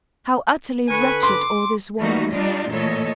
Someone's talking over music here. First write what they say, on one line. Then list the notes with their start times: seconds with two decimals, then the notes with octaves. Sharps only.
How utterly wretched all this was.
0.88 D3 A4 B4 G#5 C#6
1.23 C6 D6
1.99 E3 G3 A3 A#3 D#4 F#4
2.32 G3 D4 D#4 F4 D5 D#5
2.69 A#2 E3 A3 A4 C#5 D#5